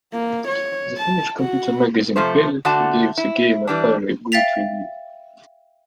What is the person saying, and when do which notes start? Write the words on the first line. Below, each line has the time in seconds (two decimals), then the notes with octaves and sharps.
The Finnish computer magazine "Pelit" gave the game a fairly good review.
0.12 A#3
0.48 C#5
0.98 A5
1.40 F#4
2.16 C3 F3 A3 C5
2.65 D3 A3 D4 F#4 A5
3.18 E4
3.67 E3 G3 D4
4.32 E5 F5 G5 A6 B6 F7